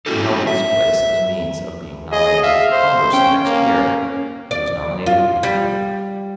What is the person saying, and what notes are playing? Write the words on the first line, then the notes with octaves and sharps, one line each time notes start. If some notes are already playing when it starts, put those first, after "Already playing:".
He held this place as a means of being nominated for Congress the next year; he was nominated and defeated.
A3 C#4 E4 F#4 G4 A4
E5
G#4 D#5
E5 F5
C5
C#4 G5
A#3
D5
F4
G3